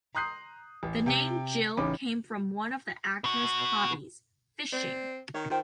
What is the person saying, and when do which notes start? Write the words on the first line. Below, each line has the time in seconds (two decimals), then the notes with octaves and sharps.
The name Gil came from one of the actor's hobbies, fishing.
0.15 A#5 C6 D#6 F#6 G6 C7
0.83 A1
1.06 C3 G5
1.77 A1 C#3 C#4 D#4 B5 D6
3.24 B2 F#4
4.72 C4 D5
5.34 D#3 C#5
5.50 D#3 F4 C5 G5